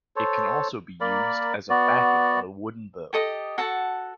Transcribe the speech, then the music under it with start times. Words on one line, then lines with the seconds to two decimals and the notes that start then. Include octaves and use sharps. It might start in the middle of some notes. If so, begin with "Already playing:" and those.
It can also be used as a backing on a wooden bow.
0.16 A4 C5 C#5
1.01 A#3 A#4 D5 B5
1.70 B3 F#4 D5
3.13 G4 A4 D#5 D#6
3.58 F#4 A4 F#5 A5